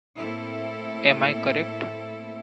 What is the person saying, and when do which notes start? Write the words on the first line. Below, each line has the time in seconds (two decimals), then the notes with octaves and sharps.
Am I correct?
0.17 A2 A#3 C4 E4 A4